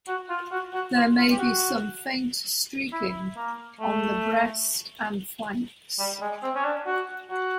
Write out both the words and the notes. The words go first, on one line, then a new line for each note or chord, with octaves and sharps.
There may be some faint streaking on the breast and flanks.
F#4
F4
F#4
F#4
F4
F4
G4
F#4
E4
A#3
A3
G3
G#3
C4
C#4
D4
F#4
F#4